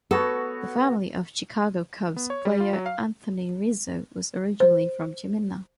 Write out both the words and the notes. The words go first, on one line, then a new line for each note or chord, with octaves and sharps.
The family of Chicago Cubs player Anthony Rizzo was originally from Ciminna.
B3 F#4 A4 C#5
B3
C#5
G3
F4
F#3
F5
C5